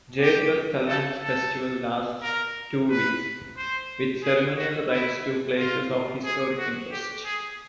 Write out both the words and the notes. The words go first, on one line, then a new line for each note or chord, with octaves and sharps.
Jedburgh Callants Festival lasts two weeks, with ceremonial rides to places of historic interest.
G4
A4
A4
A#4
B4
C5
G#4
F#4
E4
F4
G#4
F#4
G4
G#4